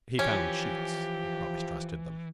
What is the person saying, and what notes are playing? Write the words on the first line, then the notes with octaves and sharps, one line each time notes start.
He found sheets, but mistrusted them.
E3 F3 C#4 G4